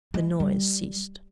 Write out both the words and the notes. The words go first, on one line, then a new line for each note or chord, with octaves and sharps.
The noise ceased.
G#3
G3